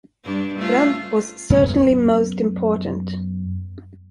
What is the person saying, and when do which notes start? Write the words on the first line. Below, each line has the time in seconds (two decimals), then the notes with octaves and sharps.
Brandt was certainly most important.
0.24 G2 D4
0.58 A3 C#4 F4
1.50 F#2 B3